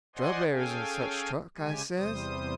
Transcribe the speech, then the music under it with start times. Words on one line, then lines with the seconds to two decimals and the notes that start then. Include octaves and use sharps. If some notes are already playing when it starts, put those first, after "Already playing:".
"Strawberries and such truck," I says.
0.16 C5 D5 D#5 F#5 G#5 C6
0.51 C#4 G#4 A4 F5 G5 G#5
1.57 C#3 G#3 G4 G#5
1.96 E2 C3 G3 C5 D#6